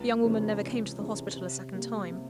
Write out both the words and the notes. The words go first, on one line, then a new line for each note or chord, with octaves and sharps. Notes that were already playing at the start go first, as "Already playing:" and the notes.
The young woman never came to the hospital a second time.
Already playing: C#2
C3 E3 G#3 C#4
C#2
C3 E3 G#3 C#4
C3
G3 A#3
C3